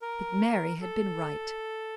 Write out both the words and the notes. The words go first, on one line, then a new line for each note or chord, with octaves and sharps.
But Mary had been right.
A#4
A4